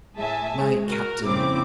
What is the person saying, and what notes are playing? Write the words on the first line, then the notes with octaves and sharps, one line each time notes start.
My Captain!
A2 G#4 E5 G#5 A5
G#3 G#4
F#4 A#4
F2 A#2 C#3 C4 E4 D6